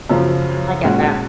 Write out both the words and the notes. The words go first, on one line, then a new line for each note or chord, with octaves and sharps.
Mhm, I get that.
F#2 C#3 F3
A#2 G#3 C#4 F#4